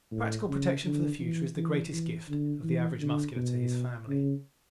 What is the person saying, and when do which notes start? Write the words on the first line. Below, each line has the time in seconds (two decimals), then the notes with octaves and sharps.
Practical protection for the future is the greatest gift of the average Muscular to his family.
0.12 A2
0.48 C#3
0.84 D3
1.20 E3
1.56 E3
1.93 E3
2.28 D3
2.63 E3
2.99 D3
3.36 B2
4.08 C#3